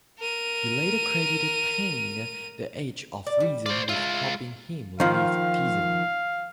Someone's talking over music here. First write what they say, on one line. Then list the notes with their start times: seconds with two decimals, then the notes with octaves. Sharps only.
He later credited Paine's "The Age of Reason" with helping him leave theism.
0.19 A#4 D#7
3.27 D5
3.40 G3
3.66 F4 C5 D5
3.89 G#3 F4 E5
5.00 D#3 F3 F5